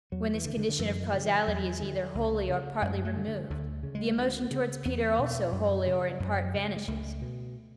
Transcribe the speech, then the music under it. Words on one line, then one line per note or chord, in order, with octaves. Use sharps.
When this condition of causality is either wholly or partly removed, the emotion towards Peter also wholly or in part vanishes.
E2 F#3
E3
D3
D3
D3
F#2 E3
E3
C#3
E3
E2 F#3
D3
C#2
C#3
F#2 G#3
A3
D3
D3
D2 D3
C#3
G#3
D2
C#3
E2 B3
B2
F#2
C#3
F#2
C#3
G#3
C#2 A3
B2